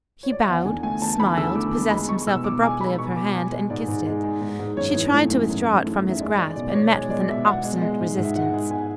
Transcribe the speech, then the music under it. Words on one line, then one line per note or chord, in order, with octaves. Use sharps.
He bowed, smiled, possessed himself abruptly of her hand, and kissed it. She tried to withdraw it from his grasp, and met with an obstinate resistance.
C#5
D5
E5
E2 F#5
D3 G#5
A3 G#5
E2 A5
E2 B5
D3 E6
A3 D6
E2
G#3 B5
G#3 C#6
B2 E6
B2 D6
G#3 G#5
G#3 B5
B2 C#6
B2 D6
G#3 G#5
G#3
G#2 D5
G#2
G#3
G#3
G#2
G#2
F#2 C#5
E3
A3
F#2
F#2
E3
A3
F#2
E5
G#3 D5
G#3 D5
B2 D5
D5
B2 C#5
G#3 C#5
G#3 D5
D5
B2 E5
B2 F#5
G#3
G#3
G#2
G#2
E5
G#3 F#5
G#3
G#2 G#5